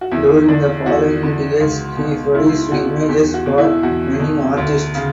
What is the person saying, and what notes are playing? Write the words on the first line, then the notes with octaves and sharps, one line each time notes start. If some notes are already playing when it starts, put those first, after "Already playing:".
During the following decades he produced images for many artists.
F#4
E2 E4
D3 D4
E2 F#4
D3
C#2
B2
C#2 E4
B2 F#4
E2 G4
F#4
B2
E4
E2 F#4
B2
D2
C#3